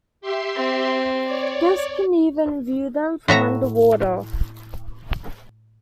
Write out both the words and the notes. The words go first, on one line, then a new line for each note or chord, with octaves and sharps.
Guests can even view them from underwater.
G4 E5 C6
C4
C#5 D5
A2 F#4 E5 A#5